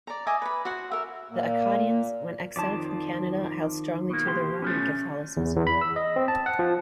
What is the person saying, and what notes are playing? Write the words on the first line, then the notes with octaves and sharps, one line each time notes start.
The Acadians, when exiled from Canada, held strongly to their Roman Catholicism.
D5 A#5
D#5 E5 G#5 D6
B4 B5
F#4 C5 F#5
A#4 E5
A#2 A#3
F2 D#3 F3 D5 A5
B2 A#3
G4 C6
B2 F3 A3 C#4
E2
E2
B5
E6
D#5
C4
A5
F#5
F3